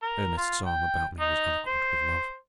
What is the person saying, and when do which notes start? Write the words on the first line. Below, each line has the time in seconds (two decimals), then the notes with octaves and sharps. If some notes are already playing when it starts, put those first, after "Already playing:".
Ernest's arm about me was eloquent with love.
0.02 A#4
0.37 F4
0.66 G5
1.20 D#4
1.67 C5